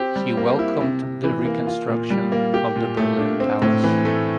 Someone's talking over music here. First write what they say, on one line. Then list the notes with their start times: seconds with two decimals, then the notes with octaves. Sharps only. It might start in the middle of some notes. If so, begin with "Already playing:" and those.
He welcomed the reconstruction of the Berlin Palace.
Already playing: C4 G4
0.16 G3
0.37 A#3
0.59 E4
0.81 C3
1.02 C3
1.24 E3
1.45 A#3
1.67 F4
1.89 A#2
2.10 G3
2.32 A#3
2.54 G4
2.76 A#2
2.97 A3
3.19 D4
3.40 C4
3.62 A2
3.84 E3
4.05 A3